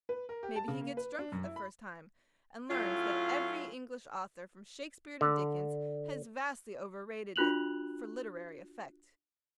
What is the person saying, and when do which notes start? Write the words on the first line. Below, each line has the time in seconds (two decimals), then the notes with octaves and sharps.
Maybe he gets drunk for the first time and learns that every English author from Shakespeare to Dickens has vastly overrated it for literary effect.
0.09 B4
0.29 A#4
0.43 G4
0.56 A5
0.68 C#3
0.81 A#3
0.97 B4
1.18 D4
1.32 F#2
1.44 E4
1.56 B5
2.70 A2 F#3 C#4 F4
5.21 D3
7.36 D4 F4 F#4 F#6 F7 F#7